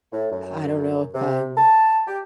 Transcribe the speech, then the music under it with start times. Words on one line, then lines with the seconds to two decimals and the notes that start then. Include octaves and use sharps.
I don't know if I'm
0.13 A2
0.31 F#2
1.15 C3
1.58 A5
2.07 G4